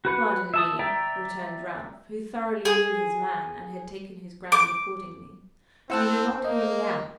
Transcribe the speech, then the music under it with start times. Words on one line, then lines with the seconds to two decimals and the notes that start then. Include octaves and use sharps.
'Pardon me,' returned Ralph, who thoroughly knew his man, and had taken his ground accordingly; 'you do not hear me out.
0.05 F#4 B4 F#5
0.54 E5 A5 D#6
0.79 D5 E5 G5 A#5
2.65 G#4
4.52 D6
5.90 C4 E4 C5 F#5 A5 E6 F#6
6.45 A#3 D#5